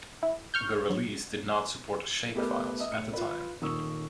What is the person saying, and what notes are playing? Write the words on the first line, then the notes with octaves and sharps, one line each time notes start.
The release did not support Shapefiles at the time.
E4
C#6 F6 G6
F#3
A3 B3 G4 A#4 B4
D#5 E5 D#6
A2 C#7
F4 B4
D#1 D#3 A#3 C#6 D#6 E6